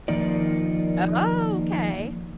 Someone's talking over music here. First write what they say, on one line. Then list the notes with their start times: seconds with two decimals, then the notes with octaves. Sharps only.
Oh, okay,
0.08 D#3 F3 A#3 D#4 F4 D5